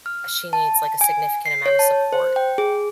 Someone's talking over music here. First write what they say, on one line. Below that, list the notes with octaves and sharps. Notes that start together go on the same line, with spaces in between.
uh, she needs, like, a significant amount of support,
F6
A5
G#5
C7
C#5
A5
C5
G5
G#4